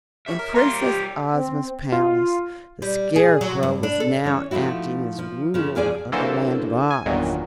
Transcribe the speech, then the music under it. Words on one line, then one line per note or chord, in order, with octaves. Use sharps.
In Princess Ozma's palace the Scarecrow was now acting as Ruler of the Land of Oz.
A2 G3 C#5 E5
A#4
G3 A#3 C#5 A#5 C6
C3 D#3 F3 G4
C4
F4
G3
G#4
F#3
G2
D4
A4
E3 C#4 C#5
F3 A3 D#4 E4 F#4
F3
C#3 F3
F2 F3 G#4 D5 G#5
D3 E3 F#3 A#3 A4 C5
G#5
G1 E2 A#2 D#3 F#3